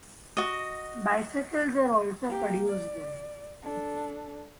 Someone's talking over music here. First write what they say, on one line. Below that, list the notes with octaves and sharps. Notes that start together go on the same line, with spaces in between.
Bicycles are also produced there.
F#4 D#5
A#3 G4
D5
D4 A4